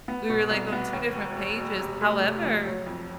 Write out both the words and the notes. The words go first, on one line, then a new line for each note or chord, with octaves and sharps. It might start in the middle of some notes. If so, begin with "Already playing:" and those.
We were, like, on two different pages. However,
B3
B2
C2
B3
D#2
E1
E1
E1
C3
A3
C3
F3
F#3
F2